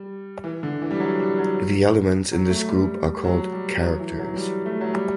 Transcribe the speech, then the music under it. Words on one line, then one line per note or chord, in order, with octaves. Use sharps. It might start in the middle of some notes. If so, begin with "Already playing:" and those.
The elements in this group are called "characters".
Already playing: G3
E3
D3
E3
G3
F#3
G3
F#3
F#3
A3
G3
F#3
G3
F#3
E3
F#3
G3
A3
F#3
G3